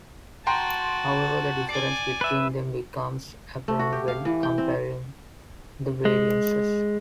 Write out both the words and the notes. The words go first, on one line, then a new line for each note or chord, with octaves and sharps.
However, the difference between them becomes apparent when comparing the variances.
F#4 G5 A5 A#5 C6
D5 G#5 C7
B4 E5
A3
F#4
G4
F5
E3
G5
C4
G#3